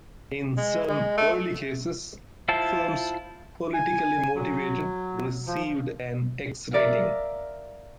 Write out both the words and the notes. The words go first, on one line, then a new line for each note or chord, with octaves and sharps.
In some early cases, films politically motivated received an X rating.
G#3
G#3
A3
E4 F4 C5 E5 A5
G#5
F#3
F3
A#4 D5 E5 F5